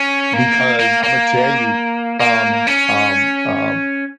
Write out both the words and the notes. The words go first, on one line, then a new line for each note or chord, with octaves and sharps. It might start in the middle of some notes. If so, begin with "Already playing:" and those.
because Imma tell you, um, um, um,
Already playing: C#4
A#3
A#3
A#3
A#3
C#4